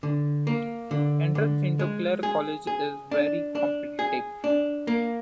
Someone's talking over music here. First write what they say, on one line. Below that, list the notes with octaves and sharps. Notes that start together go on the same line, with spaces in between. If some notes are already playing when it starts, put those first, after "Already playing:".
Entrance into Clare College is very competitive.
D3
A#3
D3
D3
G#3
G#4
G#4
D4
D4
G#4
D4
A#3